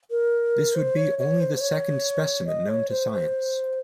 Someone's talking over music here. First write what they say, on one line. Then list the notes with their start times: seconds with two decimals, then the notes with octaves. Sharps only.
This would be only the second specimen known to science.
0.10 A#4
0.75 C5
0.97 C#5
1.19 C#5
1.40 C5
1.56 C5
1.60 C#5
2.47 D#5
2.69 C#5
2.89 C5
3.12 C5